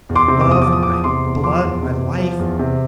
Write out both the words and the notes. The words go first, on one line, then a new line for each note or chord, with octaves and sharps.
My love, my blood, my life!
E2
C6 D6
C3
D6
E2 D#6
D6
F3
D#6
E2 D6
D#6
C3 C6 D6
E2
F3 C6 D6
E2
C3
E2
F3
E2
C3